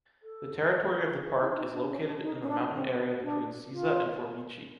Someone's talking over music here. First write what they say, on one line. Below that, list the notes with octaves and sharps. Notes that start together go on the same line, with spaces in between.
The territory of the Park is located in the mountain area between Cisa and Forbici.
A4
G#4
F4
E4
D4
D#4
D4
C#4
D4
D#4
C#4
D4
C4
D4
F4